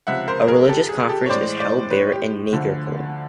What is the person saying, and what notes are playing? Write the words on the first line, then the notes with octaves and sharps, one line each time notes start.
A religious conference is held there in Nagercoil.
C#2 C3 F3 E5 F#5
A#4 C5
G#4 A#4
G4 A4
G#4
G#4
G4 A4
C#5
A2 E3 G#3 C5 D5
C5 D5
B4 C#5
G4
D2 D3 F3 A3